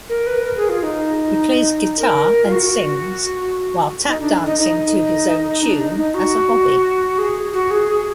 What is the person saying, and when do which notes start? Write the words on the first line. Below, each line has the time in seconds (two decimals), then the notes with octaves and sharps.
He plays guitar and sings, while tap-dancing to his own tune as a hobby.
0.09 A#4
0.27 B4
0.44 A#4
0.57 G#4
0.69 F4
0.83 D#4
1.99 A#4
2.45 F4
2.52 F#4
4.08 D#4
4.20 D4
4.46 D#4
4.60 D#4
5.62 D4
5.81 D#4
5.98 D#4
6.14 F#4
7.18 G#4
7.53 F#4
7.71 G#4
7.88 G#4